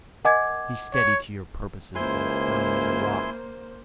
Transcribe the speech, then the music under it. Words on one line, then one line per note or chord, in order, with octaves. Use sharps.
Be steady to your purposes and firm as a rock.
A#4 D#5 F#5 G#5 D6 G#6
C#5
C#2 A#3 E4 C5 G#5 C6